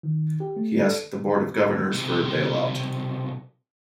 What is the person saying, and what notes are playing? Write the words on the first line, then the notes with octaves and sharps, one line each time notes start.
He asked the board of governors for a bailout.
D#3
G4
A3
A4
B1 C3